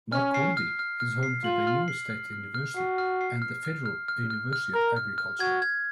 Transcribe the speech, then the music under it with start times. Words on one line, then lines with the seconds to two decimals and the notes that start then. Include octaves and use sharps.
Makurdi is home to Benue State University and the Federal University of Agriculture.
0.12 C#4 F6
0.34 C7
0.57 F6
0.79 F6
1.00 F6
1.23 C7
1.44 F4 F#7
1.67 F6
1.88 C7
2.10 F6
2.33 F6
2.54 F6
2.76 F#4 C7
2.98 F6
3.21 C7
3.42 F6
3.65 F6
3.86 F6
4.08 F6
4.30 F6
4.53 F6
4.74 A#4 F6
4.97 F6
5.18 F6
5.40 F#4 G#6
5.62 G#6